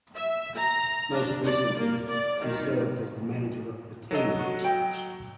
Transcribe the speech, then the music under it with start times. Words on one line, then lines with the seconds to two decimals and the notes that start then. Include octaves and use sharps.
Most recently, he served as the manager of the team.
0.15 E5
0.54 A#5
1.12 D4
1.43 D5
1.76 A#3
2.08 D5
2.40 D#3
4.11 F#3 A4 D#5
4.39 F#4
4.64 G5